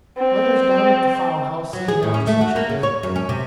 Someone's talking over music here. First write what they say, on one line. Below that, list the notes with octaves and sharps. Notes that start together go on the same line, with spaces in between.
Mother's down at the fowl-house seeing after some chickens.
C4
F#3
G#4
A2
C#4
A3
F#4
A#3
C#3
C#5
F#2
C#4
C3